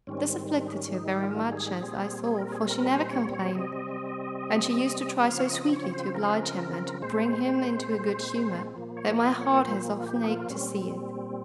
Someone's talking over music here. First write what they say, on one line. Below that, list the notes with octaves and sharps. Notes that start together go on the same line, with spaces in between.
This afflicted her very much, as I saw, for she never complained, and she used to try so sweetly to oblige him and to bring him into a good humour, that my heart has often ached to see it.
G#2 D#3 G3 C4 C#4
C4
C4
D#4
C#4
D#4
F4
G#4
A#2 G3 C4 G#4
G#4
A#4
G#4
A#4
C5
C#5
C#5
C3 G3 C4 D#5
C#3 F3 C4 F5
C#5
D#5
C#5
C5
A#4
C5
A#4
A#4
A#2 G#3 C4 C5
C5
A#2 F3 A#3
C#5
D#5
C#5
C5
F4
G4
D#4
F4
A#2 G3 C4 C#4